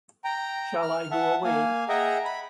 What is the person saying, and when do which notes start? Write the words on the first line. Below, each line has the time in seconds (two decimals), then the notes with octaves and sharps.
Shall I go away?
0.24 G5 A#5
0.82 F6
1.11 E5 F#5 A5
1.44 A#3 F5 G#5
1.89 G#4 D#5 E5 F#5 G5 A#5
2.25 B5